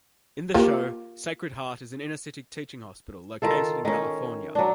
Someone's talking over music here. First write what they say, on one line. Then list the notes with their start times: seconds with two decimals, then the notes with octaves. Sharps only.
In the show, Sacred Heart is an inner-city teaching hospital located in California.
0.54 A#3 F4 G4
3.42 D#3 F4 A4
3.85 D#3 C#4
4.55 F#3 D4